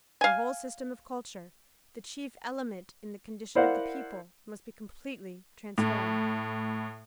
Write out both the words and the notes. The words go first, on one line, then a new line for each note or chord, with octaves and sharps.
The whole system of culture, the chief element in the condition of the people, must be completely transformed.
F5 G#5
E4 A#4 C5 D5 F5 F#5
A2